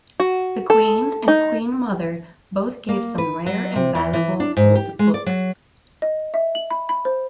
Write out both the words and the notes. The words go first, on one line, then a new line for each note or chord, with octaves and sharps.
The Queen and Queen Mother both gave some rare and valuable old books.
F#4
A4
D#4
A#3
B4
F#3
C3
E2
E3
D4
G#2
G4
G#3
D5
F#3
D#5
E5
F#7
B5
B5
C5